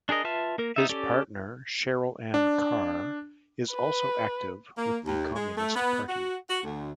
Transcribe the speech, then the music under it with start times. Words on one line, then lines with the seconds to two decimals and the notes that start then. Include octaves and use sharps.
His partner, Cheryl-Anne Carr, is also active with the Communist Party.
0.09 D4 G#4 A#4 D#5
0.24 F4 B4 E5 A5 F6
0.58 A#3 A#4
0.76 B3 D#4 E5
0.89 C#4 G4 A4 D5
2.34 D4
3.73 B4
4.76 A#3
5.05 D#2
5.36 G#3
5.57 A3
5.75 B3
6.08 F#4
6.49 F#4
6.64 D2